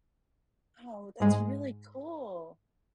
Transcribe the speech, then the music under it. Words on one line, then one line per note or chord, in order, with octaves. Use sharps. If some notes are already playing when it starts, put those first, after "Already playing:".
Oh, that's really cool.
G#2 G#3